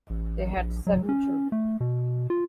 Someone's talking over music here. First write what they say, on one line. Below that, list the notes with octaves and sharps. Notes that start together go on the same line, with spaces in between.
They had seven children.
A1
A#1
F#3
C#4
A3
B2
F4